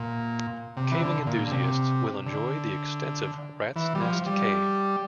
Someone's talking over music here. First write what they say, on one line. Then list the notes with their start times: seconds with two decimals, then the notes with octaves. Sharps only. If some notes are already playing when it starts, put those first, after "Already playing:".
Caving enthusiasts will enjoy the extensive Rat's Nest Cave.
Already playing: A#2
0.77 C3
0.92 E3
1.02 D3
1.27 A#2
1.47 D3
1.51 C3
2.26 D3
3.76 E3
3.95 G3
4.02 F3
4.26 G3